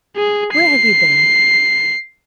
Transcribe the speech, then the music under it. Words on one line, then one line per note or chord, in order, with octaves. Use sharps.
Where have you been?'
G#4
C7